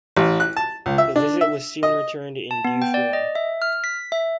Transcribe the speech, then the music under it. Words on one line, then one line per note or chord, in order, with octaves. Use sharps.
The visit was soon returned in due form.
A1
F#6
A5
C#2
E5
D4
E5
D#5
A5
B3
G5
D5
D#5
E5
F6
B6
E5